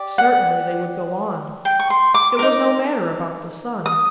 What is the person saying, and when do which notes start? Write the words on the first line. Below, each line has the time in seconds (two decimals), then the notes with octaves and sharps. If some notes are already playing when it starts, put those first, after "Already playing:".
Certainly they would go on. It was no matter about the sun.
Already playing: G4 D5
0.18 F#5
1.65 G5
1.80 C#6
1.90 C6
2.14 D6
2.39 D#4 F#4 A#4 D6
3.86 D#6